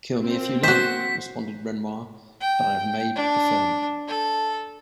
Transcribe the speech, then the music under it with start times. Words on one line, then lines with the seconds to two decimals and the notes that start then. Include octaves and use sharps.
"Kill me if you like", responded Renoir, "but I have made the film".
0.24 A#3 C4
0.63 F#4 C5 B6
2.41 G5
3.16 D4
4.08 A4